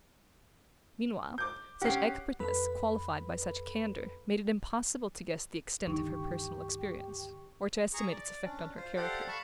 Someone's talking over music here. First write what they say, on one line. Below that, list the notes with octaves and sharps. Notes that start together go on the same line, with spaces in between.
Meanwhile, such expertness qualified by such candour made it impossible to guess the extent of her personal experience, or to estimate its effect on her character.
D6 G6
C#4 G4 F#5 C7
F2 A4 B4 B5
C#2 G2 D3 D#3 D#4 G4 C#6
G#4 A#5 C#6
D5
C#4 D4
F4 C5
G4 A4 C5 D5 F5 F#5
F5 A5 B5 C#6